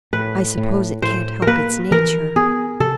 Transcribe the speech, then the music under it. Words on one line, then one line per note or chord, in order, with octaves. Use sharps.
I suppose it can't help its nature.
A2 B4
A2
A2 C5
A#4
A#3 B4
E3 A#4
B3 G#4
C3 A4